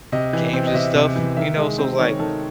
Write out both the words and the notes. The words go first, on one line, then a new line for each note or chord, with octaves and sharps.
games and stuff, you know, so, it was like,
C3 D#5
E3
C4
D#5
C3 E5
C3
E3
D#3 E5
G#3
C4
D#3 C#5
D#3 A4